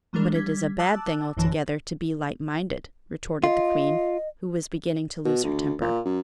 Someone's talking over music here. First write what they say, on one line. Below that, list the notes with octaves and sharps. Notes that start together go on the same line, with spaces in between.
"But it is a bad thing altogether to be light-minded," retorted the queen, who was beginning to lose her temper.
D#3 E3 G3 G#3 D4 A#4
G3 G#6 B6
A5 D6 E6 F#6 A6
A1 F#2 D3 E3 A5 A#6
F4 D#5
B2
D2
A#2
F#2